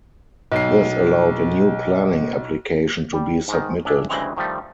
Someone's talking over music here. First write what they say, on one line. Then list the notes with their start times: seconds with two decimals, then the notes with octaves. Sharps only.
This allowed a new planning application to be submitted.
0.52 B1 C7
3.13 G3
3.48 G#2 D#3
3.85 A#1 D4 G#4 E5
4.09 D2 G2 C#3 E3 G#3 C4
4.37 D#3 F3 G3 A3